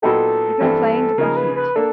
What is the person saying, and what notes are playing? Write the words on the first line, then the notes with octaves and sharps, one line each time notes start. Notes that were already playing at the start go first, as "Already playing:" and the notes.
He complained of the heat.
A#2 F#3 B3 D#4 G4 A4
G2 E3 G3 C4
C#3 F3 A#3 D#4 G#4 A#4
B4
B4
A#3 D4 A4